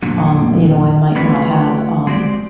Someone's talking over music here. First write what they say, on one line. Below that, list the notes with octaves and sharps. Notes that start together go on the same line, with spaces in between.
um, you know, I might not have, um,
F2 A#2 D3 F#3
A3 C#4 F4 F#4 B4 D5
G#3 C4 F#4 G4 D5